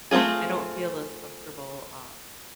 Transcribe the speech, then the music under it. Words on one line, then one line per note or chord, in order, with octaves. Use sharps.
I don't feel as comfortable, um
A3 C4 D#4 F4 G#4